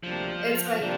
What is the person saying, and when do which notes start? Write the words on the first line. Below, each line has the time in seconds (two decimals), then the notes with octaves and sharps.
It's like
0.03 D2 C3 F3 G3 A#3 D4
0.82 C3 F3 G3 A#3 D4